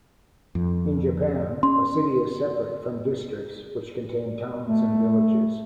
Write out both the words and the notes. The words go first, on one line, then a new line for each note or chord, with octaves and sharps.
In Japan, a city is separate from districts, which contain towns and villages.
F2
C#4 C6
A3